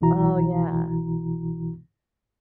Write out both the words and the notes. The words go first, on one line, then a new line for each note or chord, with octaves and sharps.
Oh, yeah.
C2 B2 E3 E4 F#4 A#5